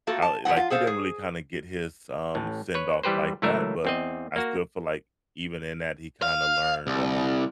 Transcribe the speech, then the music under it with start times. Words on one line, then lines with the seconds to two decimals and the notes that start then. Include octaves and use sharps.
I like, he didn't really kinda get his, um, send off like that, but I still feel like even in that he kinda learned, um,
0.07 A3 A#3 F4 F#4 A4
0.22 A5
0.45 E2 B2 F#3 C4 F#5
0.57 F4
0.70 G#4 A4 C5 F5
0.87 G#4
2.35 A1 A2
2.75 B4 C#5
3.03 E3 G3 G4 B4 C5
3.42 C#2 E3 F#3 A3 A#4 E5
3.85 E2 C4 D#5
4.36 A#3 F#4
6.22 F5
6.87 C2